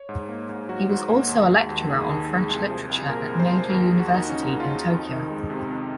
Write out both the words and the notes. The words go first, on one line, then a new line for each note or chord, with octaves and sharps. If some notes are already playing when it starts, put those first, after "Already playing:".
He was also a lecturer on French literature at Meiji University in Tokyo.
Already playing: C#5
G#2
A#3
G#2
F#3 F#4
G#2
A#3
D#2
G#3
D#2
D#3 G#4
D#2
G#3
C2
F3
C2
A#2 A#4
C2
C5
F3
D#2 A#4
F3 G#4
F#4
D#2 D#4
C#3 C#4
D#2 D#4
F4
F3
D#4
F2
D#3
G#3
C3
F2